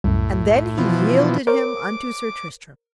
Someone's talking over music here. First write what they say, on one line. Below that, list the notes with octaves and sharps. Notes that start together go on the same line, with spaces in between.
And then he yielded him unto Sir Tristram.
C2 F#2 A2
B2 E3 F3
A#4 C5 C#5 D6